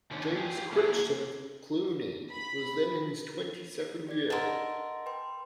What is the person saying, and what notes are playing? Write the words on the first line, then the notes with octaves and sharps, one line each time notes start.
James Crichton of Cluny was then in his twenty-second year.
D#3 F3 C#4 D4
G4 G#4
A#3 D4 E4 F4 G#4
B5
G4 D5 G#6
A4 A#4 D#5 F#5 C6
B4 G5 C6